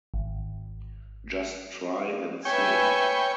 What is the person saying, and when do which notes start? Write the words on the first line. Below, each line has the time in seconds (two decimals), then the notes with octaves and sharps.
Just try and see.
0.14 G#1
2.45 B4 C#5 E5 G5 G#5